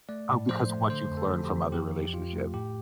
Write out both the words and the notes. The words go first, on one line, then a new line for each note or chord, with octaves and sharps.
Oh, because what you've learned from other relationships.
A3 D5
A2
F3 C5
A3
D3 C5
F2
A4
F3
G4
F2
F3 G4
F3
F2 F4
A3
A2 G4